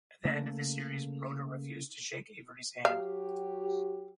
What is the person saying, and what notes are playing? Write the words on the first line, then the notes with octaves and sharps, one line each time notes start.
At the end of the series, Brodeur refused to shake Avery's hand.
C#3 A3 A#3
F#3 F#4 G4 F5